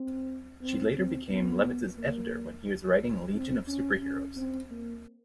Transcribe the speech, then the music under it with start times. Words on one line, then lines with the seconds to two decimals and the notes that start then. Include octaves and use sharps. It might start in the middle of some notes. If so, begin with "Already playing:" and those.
She later became Levitz's editor when he was writing "Legion of Super-Heroes".
Already playing: C4
0.62 C4
0.96 C4
1.30 B3
1.97 A#3
3.35 C4
3.68 C#4
4.03 C#4
4.36 C4
4.70 A#3